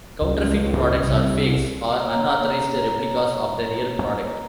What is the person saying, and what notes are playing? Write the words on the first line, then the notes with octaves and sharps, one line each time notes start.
Counterfeit products are fakes or unauthorised replicas of the real product.
C#2
C2
A#3 C#5 A#5